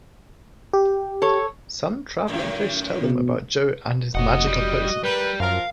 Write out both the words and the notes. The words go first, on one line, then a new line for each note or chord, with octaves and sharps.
Some traveling fish tell them about Joe and his "magical potion".
G4
A4 C#5
F#2 A2 D#3
B2
F1 A#3 F#4 D#5 F#5
G3
G3 G4 A#4 B4
F#2 F3 A#4 F5